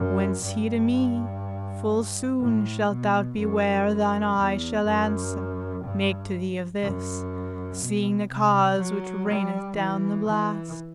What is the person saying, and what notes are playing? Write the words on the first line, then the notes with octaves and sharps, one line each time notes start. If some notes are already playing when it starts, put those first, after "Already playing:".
Whence he to me: "Full soon shalt thou be where Thine eye shall answer make to thee of this, Seeing the cause which raineth down the blast."
Already playing: F#2
G2
A2
B2
F#2
E2
F#2
G2
F#2
B2
C3
F#3
G3
E3
E3